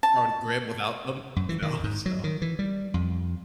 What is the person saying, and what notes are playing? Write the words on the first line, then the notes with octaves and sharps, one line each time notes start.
darn grim without them, you know? So
A5
F#2
E3
D#3
G#2
F#3
D#3
E3
G3
F2